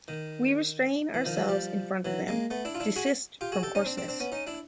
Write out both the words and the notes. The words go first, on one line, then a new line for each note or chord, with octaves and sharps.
We restrain ourselves in front of them, desist from coarseness.
D#3
E3
D#3 F3
E3 F#3
F3 G3
E3 F#3
G#3 A#3
A3 B3
D4 E4
F4
D4 E4
F#4 G#4
F4 G4
F#4 G#4
G4 A4
C#4 D#4
C4 D4
C4 D4
C4 D4
B3 C#4
C#4 D#4
D4 E4